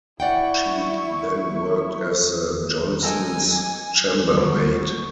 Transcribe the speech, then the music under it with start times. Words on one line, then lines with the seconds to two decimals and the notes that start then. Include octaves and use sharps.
She then worked as the Johnsons' chambermaid.
0.20 E4 D5 F#5 G5 C#6
3.03 D#4 A4 A#4 G#5
4.37 D2 G#2 B2 G3 F4 C#6